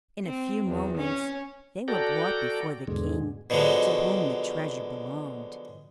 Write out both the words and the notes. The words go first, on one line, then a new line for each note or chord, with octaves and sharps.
In a few moments they were brought before the King to whom the treasure belonged.
C4
E2
C#4
F#4 A4 D5 G5 A#5
E2 G#2 B2 D3 G#3
B2 D3 F3 F#3 G#3